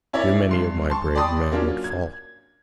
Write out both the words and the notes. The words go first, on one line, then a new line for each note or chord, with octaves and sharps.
Too many of my brave men would fall.
C#4 E4 A#4 C#5 D5
G2 C6 C7
A5 C6 C#6
D5 G5 A5 B5 C6 D#6
F#3 A#3 C#4 D4 F4
G#6